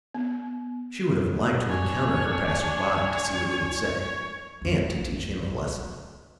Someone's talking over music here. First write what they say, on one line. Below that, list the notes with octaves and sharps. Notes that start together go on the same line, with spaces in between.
She would have liked to encounter her "passer-by," to see what he would say, and to "teach him a lesson!"
B3
D4 C#5 G#5
A#1 F2